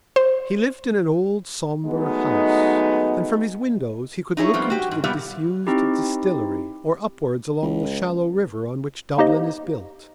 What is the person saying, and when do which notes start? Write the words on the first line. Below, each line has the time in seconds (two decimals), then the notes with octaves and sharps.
He lived in an old sombre house and from his windows he could look into the disused distillery or upwards along the shallow river on which Dublin is built.
0.16 C5
1.85 F#3 G#3 A3 B3 D#4
4.37 D#4 E4 G#4 C#5
4.54 F3 G3 A3 B3 C4
4.70 F#4 G4
4.91 G#2
5.04 A#2 G3 B3 G4 D5 E5
5.67 C4 D#4 E4 G4
7.63 C#2
9.18 A#3 D#4 G4 C5 D#5